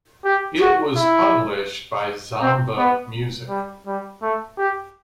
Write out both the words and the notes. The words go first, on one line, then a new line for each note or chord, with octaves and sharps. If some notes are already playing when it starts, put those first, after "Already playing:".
It was published by Zomba Music.
G4
F#4
E4
C4
B3
G3
G3
A3
G4